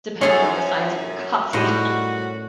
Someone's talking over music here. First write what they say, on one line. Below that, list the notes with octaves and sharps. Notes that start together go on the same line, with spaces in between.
depending on the size of your coffee.
F#2 C#4 G#4 A4 C#5
A2 G3 F#4 C5 D#5 F#5